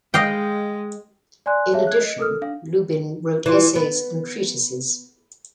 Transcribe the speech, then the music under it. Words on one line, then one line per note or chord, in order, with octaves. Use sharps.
In addition, Lubin wrote essays and treatises.
G#3 D#5 F5 G5
D5 G#5 C6 F#6
G#4 C#5 E5 F5 A5
F#6 G#6
D#5
A4 A#4 D#6 F6
D4 F5
E3 F4
B3